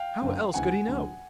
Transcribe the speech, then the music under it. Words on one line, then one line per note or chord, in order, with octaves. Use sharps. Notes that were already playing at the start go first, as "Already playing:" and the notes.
How else could he know?
Already playing: F5 G5
F#1 F#2 D3 F#3
D2 C#3 E3 F#5 G#5
D2 D3 F#3 A3